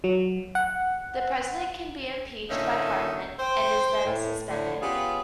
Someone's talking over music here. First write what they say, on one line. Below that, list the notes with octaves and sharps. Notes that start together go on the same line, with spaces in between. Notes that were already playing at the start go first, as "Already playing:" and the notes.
The President can be impeached by Parliament and is then suspended.
F#3
F#5
A2 D3 A#3 C#4 D#4 E5
C5 G5
A2
A2 D3
B3 C#4 F4 G4 G#4